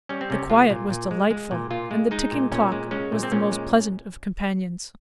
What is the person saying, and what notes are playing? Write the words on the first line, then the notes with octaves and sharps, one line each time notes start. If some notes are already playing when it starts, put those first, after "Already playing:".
The quiet was delightful, and the ticking clock was the most pleasant of companions.
G3 C#4
C4
C3 C#4
G#3 F4
A#2
A#2
G#3
G#3
A#2
A#2 F4
G#3
G#3 D#4
A#2
A#2 C#4
G#3
G#3 C#4
A#2
C4
A#2 C#4
G#3